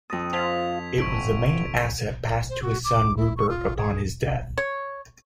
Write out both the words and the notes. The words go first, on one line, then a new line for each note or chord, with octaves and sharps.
It was the main asset passed to his son Rupert upon his death.
F2 D#6 A6 A#6
F4 C5 A5 G#6 B6 F7
G1 A5 C#6 D7
C5
F#4
D6
E4
C#6
F4
G#4
C#5